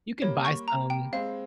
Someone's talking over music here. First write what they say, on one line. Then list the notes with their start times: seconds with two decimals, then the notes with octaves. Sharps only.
you can buy some
0.22 G3 A#3 C#5
0.45 C#6
0.68 A#5
0.90 G5
1.13 G#3 C4 F5